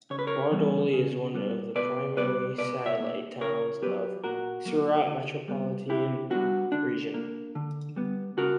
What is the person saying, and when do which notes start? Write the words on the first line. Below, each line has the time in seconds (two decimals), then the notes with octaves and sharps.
Bardoli is one of the primary Satellite Towns of Surat Metropolitan Region.
0.10 C#3 C#5
0.19 B4
0.27 A#4 C#5
0.51 E3 G3 B3
0.93 C#3
1.34 G3 B3
1.75 B2 B4 D5
2.17 G3 B3 B4 D5
2.58 B2 B4 D5
2.86 C#5 E5
3.00 A#3
3.41 C#3 A#4 C#5
3.82 F#3 B3 G4 B4
4.24 A#2 F#4 A#4
4.65 F#3 A#3
5.07 D3
5.48 G3 B3
5.89 D3 E4 G4
6.30 G3 B3 D4 F#4
6.72 D3 D4
7.14 A#3
7.55 D3
7.96 G3 B3
8.37 C#3 F#4 A#4